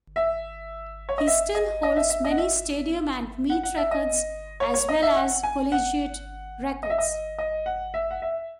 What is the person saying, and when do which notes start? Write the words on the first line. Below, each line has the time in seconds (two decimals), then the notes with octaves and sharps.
He still holds many stadium and meet records, as well as Collegiate Records.
0.16 E5
1.09 C#5
1.18 D#5
1.27 E5
1.55 D#5
1.83 D#5
1.96 E5
2.10 E5
2.25 D#5
2.31 F#5
2.38 E5
3.50 F#5
3.63 F#5
3.77 E5
3.91 D#5
4.60 C#5
4.74 C#5
4.89 D#5
5.02 E5
5.16 F#5
5.43 G#5
5.72 F#5
6.83 D#5
6.90 E5
6.98 D#5
7.38 D#5
7.66 F#5
7.94 E5
8.11 F#5
8.22 E5